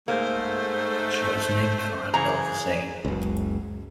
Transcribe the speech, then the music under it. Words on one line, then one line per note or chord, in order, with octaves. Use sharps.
She was named for Randolph Zane.
G#2 A3 A#3 C5
C#3 E3 G#4 A#5
F#1 C#2